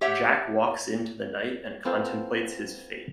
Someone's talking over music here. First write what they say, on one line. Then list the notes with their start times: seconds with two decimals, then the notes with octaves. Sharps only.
Jack walks into the night and contemplates his fate.
0.01 G4 C#5 E5 F#5
1.85 B3 C4 F4 A4 C5